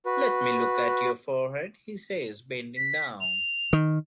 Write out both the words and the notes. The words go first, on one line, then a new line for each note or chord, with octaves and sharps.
"Let me look at your forehead," he says, bending down.
F#4 B4
B6
F7
D#3